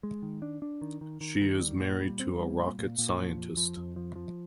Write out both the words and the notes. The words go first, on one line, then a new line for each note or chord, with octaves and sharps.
She is married to a rocket scientist.
G#3
D#3
D4
D4
D#3
D#3
D#3
D#3
G3
A#2
G3
C4
G3
A#2
A#2
A#2
F3
F2
F3
F2
F3
F3